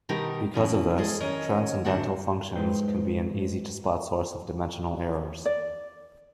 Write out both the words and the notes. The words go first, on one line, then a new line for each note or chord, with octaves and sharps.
Because of this, transcendental functions can be an easy-to-spot source of dimensional errors.
B2 D#3 G3 D#4 G4 A#4
F#2 B2 E3
G#3 G#4 A4
D#3 C#4 A#4 C#5 D#5
G#2 D3 C4 D4 F#4 F#5
G#2 G#3 D#4 B4 C5 G5
D5